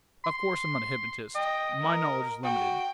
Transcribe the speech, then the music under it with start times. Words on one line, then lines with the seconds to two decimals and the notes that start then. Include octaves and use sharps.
Of course I'm not a hypnotist; my knowledge is limited.
0.24 C6
1.35 D#5 G5
1.80 A#4
2.44 F#4 G5